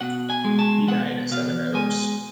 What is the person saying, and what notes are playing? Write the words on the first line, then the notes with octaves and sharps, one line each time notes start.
He died at Sevenoaks.
B2 F#5
G#5
G#3
A5
B2 F#5
B2 F5
G#3 G#5